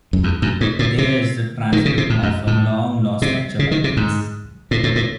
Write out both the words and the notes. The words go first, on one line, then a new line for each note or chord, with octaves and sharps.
There's the transcript of a long-lost lecture by T. S.
F#2
E2
F#2
G#2
A2
C3
D#3
C#3
C3
A2
F#2
A2
C3
C#3
D#3
C3
G#2
A2
A2
A2